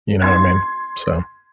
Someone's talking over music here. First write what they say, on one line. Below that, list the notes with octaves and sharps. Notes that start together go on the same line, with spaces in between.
You know what I mean? So
C6 G#6